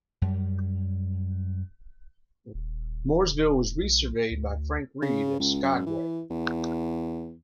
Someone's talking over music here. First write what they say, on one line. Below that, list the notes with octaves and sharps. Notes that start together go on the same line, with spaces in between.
Mooresville was resurveyed by Frank Reid as Skaguay.
F#2 G3
D#1
B1
D2
C#3
C#2
F#2
E3
E2